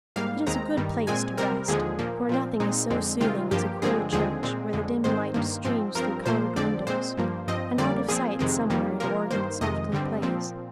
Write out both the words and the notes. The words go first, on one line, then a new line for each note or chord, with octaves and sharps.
It is a good place to rest: for nothing is so soothing as a cool church where the dim light streams through colored windows, and out of sight somewhere an organ softly plays.
G#2 G3 A#3 F5
D#2 D#3 G#3 C4 A#5
G2 D#3 G3
A#2 G#3 C4 G#5
C3 G3 C4 A#4
D#2 D3 F3 G#3 G#4
A#2 F3 A#3
A#2 F3 C4
A#2 G#3 C4 D#4
F2 D3 G#3 C4
C3 D#3 G#3 C4 F4
G2 F3 A#3 G4
G2 D3 F3 G#3 C4 G#4
D#2 D3 F3 G#3 C4 G#4
A#2 G#3 C4
F2 D3 G#3
G#2 D#3 G#3 C4 C5
G2 D#3 A#3
G#2 F3 C4
G2 F3 C4 A#4
A#2 F3 A#3 C5
F2 D3 F3 C4 D5
A#2 G#3 C4 C5
G2 F3 A#3
G2 F3 C4 D#5
F2 D3 G3 A#3 D5
A#2 F3 C4 G#4
F2 C3 D#3 G#3 C4
F2 D#3 G3 A#3
C3 F3 A#3 A#4
G2 D#3 A#3 C5
F2 C3 D#3 G#3 D#5
G2 D3 G3 C4
A#2 F3 C4